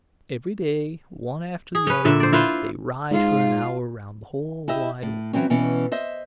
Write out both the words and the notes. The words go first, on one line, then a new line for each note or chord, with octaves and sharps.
Every day, one after the other, they ride for an hour round the whole wide world.
G#4
C#4 B4
A#2 D3 E5
C5 D5
E4 F4 B4 C5
G#2 F4
E4 G4 D#5 E5
A2
E3 F#3 C4 C#4
B2 E3 B3 C#4
C5 D#5 E5